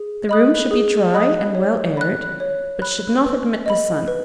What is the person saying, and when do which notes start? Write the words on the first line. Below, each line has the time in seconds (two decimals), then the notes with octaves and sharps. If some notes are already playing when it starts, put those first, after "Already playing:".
The room should be dry, and well aired, but should not admit the sun.
Already playing: G#4
0.29 D#5 B5 D#6 F#6
0.71 G#4
1.14 D#5 B5 D#6 F#6
1.55 C#5
1.97 B5 F#6
2.40 C#5
2.82 B5 F#6
3.25 B4
3.66 D#5 B5
4.08 B4